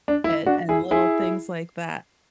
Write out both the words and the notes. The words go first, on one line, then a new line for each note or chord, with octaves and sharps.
and and little things like that,
D4
E4
D4 F#4
E4 G#4
E4 G#4